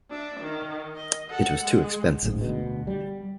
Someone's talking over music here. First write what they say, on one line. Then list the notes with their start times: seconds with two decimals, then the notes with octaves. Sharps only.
It was too expensive.
0.10 D4 E5
0.41 D#3
0.95 D#5
1.30 A4 F#5
1.64 G#3
2.23 D1 A1 G#2
2.41 D2 B2
2.87 G3